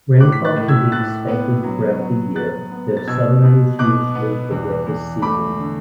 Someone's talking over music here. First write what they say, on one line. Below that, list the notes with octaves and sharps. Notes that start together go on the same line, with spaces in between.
Rainfall can be expected throughout the year though summer is usually the wettest season.
A2 D6 F#6
B6
F#6 A6
A2
E6 G#6
A2 F#6 A6
B3
F#3
F#3
F#3 F#6 A6
B3
A6
B2 E6 G#6
B2
B2 D6 F#6
B3
E2
E2
A3 B5 D6
D3